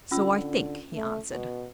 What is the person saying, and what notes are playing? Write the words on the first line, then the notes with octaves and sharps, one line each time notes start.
'So I think,' he answered.
D3 C#4 F4 E6
A3
B2